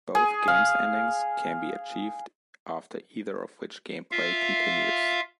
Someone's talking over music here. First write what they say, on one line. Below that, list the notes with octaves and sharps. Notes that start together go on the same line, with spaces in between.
Both game's endings can be achieved, after either of which gameplay continues.
G#4
F5
F4 E5 F5